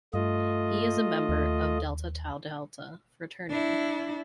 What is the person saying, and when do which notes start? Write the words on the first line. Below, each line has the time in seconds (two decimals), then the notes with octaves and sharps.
He is a member of Delta Tau Delta fraternity.
0.14 G2 A3 F4 D#5
1.29 D#2
3.49 D4 E4